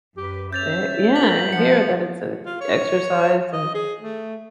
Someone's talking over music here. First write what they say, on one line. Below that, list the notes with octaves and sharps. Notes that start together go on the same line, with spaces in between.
Eh, yeah, I hear that it's a exercise and
F#2 G4 B4
C#4 E5 G6 A6 F7
F4 A#4 B6 F#7
F3 G3 F#5 C#7
F4
C#5
D#5
G#4
A3